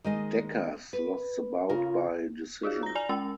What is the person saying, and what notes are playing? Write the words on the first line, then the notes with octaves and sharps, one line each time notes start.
Dekkers lost the bout by decision.
D#3 G#3 D#5
B4
C#3 F4 A#4
D#4 F4 F#4 G#4
A#5 A#6
D5 G#5 A#5 F7
G#3 C#4 G5 E6